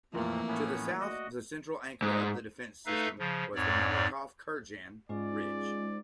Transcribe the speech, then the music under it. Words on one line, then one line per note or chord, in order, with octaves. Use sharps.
To the south the central anchor of the defence system was the Malakoff-Kurgan ridge.
F2 A#2 E3 F3 A3 A#3 A#4
A2 B3 C#4
F#4 D5 D#5
G#2
A3 D#4 A4 B4 E5 F5
C#3 F3
F2 G#2 C#5 D5
G#2 G#3 C#4 F4 D5